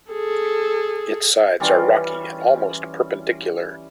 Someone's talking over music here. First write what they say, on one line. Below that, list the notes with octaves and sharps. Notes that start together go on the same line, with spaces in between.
Its sides are rocky and almost perpendicular.
G#4 A4
E3 G3 C#4 F4